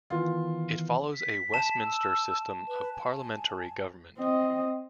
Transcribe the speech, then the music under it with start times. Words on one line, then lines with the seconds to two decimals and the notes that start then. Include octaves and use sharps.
It follows a Westminster system of parliamentary government.
0.10 D#3 E3 B3 F4
1.15 B6
1.54 A5 E7
1.80 E6
2.68 B4
2.93 G#5
4.18 C4 D#5